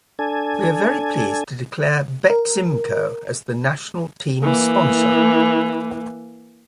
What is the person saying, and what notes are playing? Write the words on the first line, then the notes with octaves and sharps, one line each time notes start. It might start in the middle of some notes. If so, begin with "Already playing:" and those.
We are very pleased to declare Beximco as the national team sponsor.
D4 A4 G#5
A#4
E3 A#3